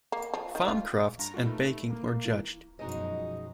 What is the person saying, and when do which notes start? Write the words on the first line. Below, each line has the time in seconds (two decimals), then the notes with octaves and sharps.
Farm crafts and baking were judged.
0.12 A#3
0.34 F3
0.55 D#3
0.68 F4
1.19 G2 A#5
1.34 A#2 F3 G3 F#4
1.46 A3 D#4 B4
1.88 A#3
2.25 E3
2.79 F#2 B2 F3 G#3 D#4 F#4